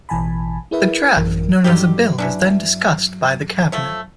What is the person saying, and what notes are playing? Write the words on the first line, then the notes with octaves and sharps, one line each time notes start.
The draft, known as a bill, is then discussed by the Cabinet.
A1 B2 E3 G#5 A5 B5
E4 G#4 A#4 B4 E5 B5
A1 F#2 E3 A#4
G2 D3 D#3 F#3 G4
E3 C#4 D4
F3 A3 C#5